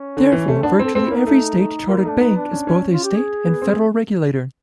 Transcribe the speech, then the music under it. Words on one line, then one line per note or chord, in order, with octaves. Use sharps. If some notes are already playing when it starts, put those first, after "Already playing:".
Therefore, virtually every state chartered bank has both a state and federal regulator.
Already playing: C#4
D3
E3
A3
B3 D4
E4
C4
A4
C4 A4
E4
A#3 D#4
A3
D#4
A#3 F4
D#4
A3 D4
B3 D#4
D4
C#4
C#4
F4
G4
G#4
B3
C4